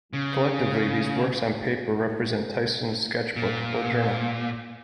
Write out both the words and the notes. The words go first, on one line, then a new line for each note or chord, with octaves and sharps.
Collectively these works on paper represent Tyson's sketchbook or journal.
C#3
A#2